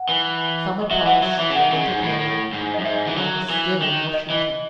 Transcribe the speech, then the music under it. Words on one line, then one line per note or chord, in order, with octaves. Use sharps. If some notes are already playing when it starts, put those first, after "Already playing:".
The summer passed, winter came, and I was still in Washington.
Already playing: F#5
E3
D#5
F#3 E5
E3 F#5
F#3 E5
E3 E5
C#3
D#3 F#5
C#3
G#2
A2
A2
G#2
D#5
F#2
G#2 E5
E3
F#3
E3
D#3
D#5
E3